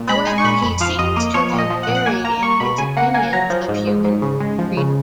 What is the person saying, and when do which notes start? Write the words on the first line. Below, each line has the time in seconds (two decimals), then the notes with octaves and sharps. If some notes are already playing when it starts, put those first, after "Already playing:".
However, he seems to have varied in his opinions of human freedom.
Already playing: A#2
0.09 G#3 B5
0.27 G#3 G#5
0.38 C#6
0.44 A#2 B5
0.62 F2 B5
0.81 F3 F5
0.99 F2 D#5
1.16 A#3 D#5
1.34 F3 C#5
1.53 A#2
1.58 D#5
1.70 F3
1.83 F#5
1.88 A#2
1.95 F#5
2.06 A#3 G#5
2.24 A#3 A#5
2.43 A#3 C#6
2.60 B2 B5
2.78 C#3 G#5
2.97 A#3 F#5
3.14 A#3 G#5
3.33 F#3 A#5
3.50 F3
3.68 G#2
3.87 G#2
4.04 G#2
4.22 C#3
4.40 G#3
4.58 F3
4.77 C#3